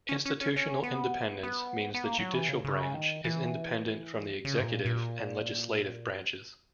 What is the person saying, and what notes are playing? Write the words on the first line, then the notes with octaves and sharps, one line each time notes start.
Institutional independence means the judicial branch is independent from the executive and legislative branches.
C#4
C#4
C#4
C#4
B3
B3
B3
A#3
F#3
E3
C#3
C#3
D#3
E3
C#3
G#2
A#2
A#2